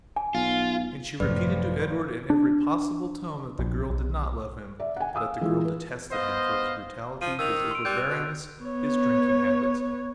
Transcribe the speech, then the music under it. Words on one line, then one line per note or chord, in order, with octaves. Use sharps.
And she repeated to Edward in every possible tone that the girl did not love him; that the girl detested him for his brutality, his overbearingness, his drinking habits.
G#5
B1 F4
G#1 F#2 A2 C3 D#3 F3 B4 D5
D4
A#1
B1
D5 E5
F#5 G#5
F5 D#6 E6
E3 G#3 E4 F4
B4
B3 C5 D#5 F5
F3 D#7
D#3 E6 F7
C6 D7
G3 F#6 G6
B2
B3 C#5